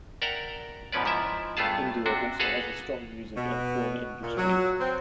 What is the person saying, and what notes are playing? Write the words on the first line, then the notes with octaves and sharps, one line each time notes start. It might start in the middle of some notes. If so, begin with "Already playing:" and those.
India also has a strong music and film industry.
A#4 D5 E5 F#5 G5 A#5
G#2 B2 F3 C#4 B4 D5
G#2 F3 E4 E5
G2 A3 B3 F4 G#4 A5
C3 D4 F#4
F#4 G#4 A4 B4 F5 F#5
B2
A#2
F#3
C4